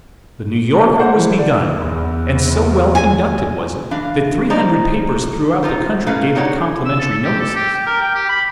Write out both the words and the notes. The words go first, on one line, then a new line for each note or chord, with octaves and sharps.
The "New Yorker" was begun, and so well conducted was it that three hundred papers throughout the country gave it complimentary notices.
G#4 C5 F#5
E3
D5
E2
G#5
E3 D4 F5
F#2 F3 D#4 C5 D5 A#5
D#4 F4 C5
A3 A#3 C#4 B4 F5
D4 D#4 F#4 C#5 F#5
E6
A4
G4
A4
G4
G5
A#4
G5
G4
B5